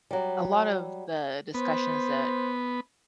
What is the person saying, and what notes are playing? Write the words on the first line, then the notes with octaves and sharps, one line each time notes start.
the, uh, a lot of the discussions that,
F#3 G3
B3 C5